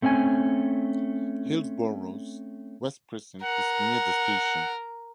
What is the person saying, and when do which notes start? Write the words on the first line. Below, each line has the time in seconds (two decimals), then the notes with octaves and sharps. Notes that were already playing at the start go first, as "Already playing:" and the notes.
Hillsboro's West Precinct is near the station.
0.02 A3 C4 C#4 F#5 G#5
3.44 A#4 F#5